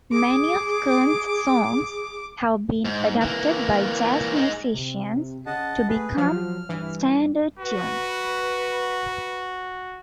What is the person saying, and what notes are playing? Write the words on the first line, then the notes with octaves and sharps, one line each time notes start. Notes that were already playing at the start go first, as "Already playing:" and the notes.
Many of Kern's songs have been adapted by jazz musicians to become standard tunes.
G#4 D6
G#2
E3 A#3
G#3 D#4
C3
C#3 D#5 F#5 A5
A3 G#4 B4
F3 F#3 F6
G2 E3
F#4 B4